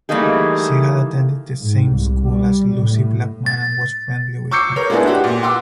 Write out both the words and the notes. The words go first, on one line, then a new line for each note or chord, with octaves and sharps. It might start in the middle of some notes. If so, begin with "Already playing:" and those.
She had attended the same school as Lucie Blackman and was friendly with her.
E3 G3 A3 A#3 D#4 G#4
G#2
C2
G3
A2
A6
C#6 D6 E6 G6 C7 C#7
A#4 C#5
G#3 A3 B3 D4 E4 G#4
F#4 G4
A#2
F#5 C6 D6 E6